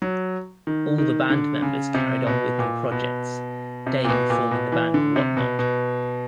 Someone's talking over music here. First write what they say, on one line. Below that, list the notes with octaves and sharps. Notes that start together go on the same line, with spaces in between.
All the band members carried on with new projects: Dave forming the band Wotnot!
F#3
D#3
D#3
D3
C#3
C3
B2
A#2
B2
C3
A#2
B2
A#2
B2
E3
D3
C3
B2
B2